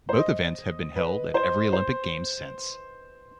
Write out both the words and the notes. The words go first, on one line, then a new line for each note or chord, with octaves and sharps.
Both events have been held at every Olympic Games since.
C5
D#5
B4
C5
C5